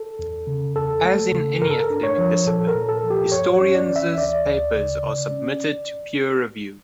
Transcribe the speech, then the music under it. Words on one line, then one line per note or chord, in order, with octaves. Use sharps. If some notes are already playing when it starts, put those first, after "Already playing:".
As in any academic discipline, historians' papers are submitted to peer review.
Already playing: A4
E2
C#3
E2 A4
A3
C#3
G2 A#4
A4
A#4
D4
C#5
F3
A#2 A4
A#4
A#2
A4
F3
G4
G2 C#5
C#5
C#4
D5
E3
E5
D2 D5
D2
C#3
C#3
C#4